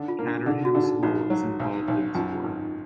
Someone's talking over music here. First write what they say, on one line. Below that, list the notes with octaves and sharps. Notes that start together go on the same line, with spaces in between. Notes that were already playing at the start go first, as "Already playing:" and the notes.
Caterham School is involved in sport.
Already playing: D3
F4
A#3
D4
D3 G#4
F#4
D3
D#4
A#1 D#4
F#3
B1
B1
F#2 F4
G#1